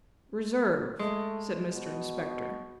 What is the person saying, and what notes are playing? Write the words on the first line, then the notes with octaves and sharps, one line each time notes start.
'Reserve!' said Mr Inspector.
G#3 A3
B2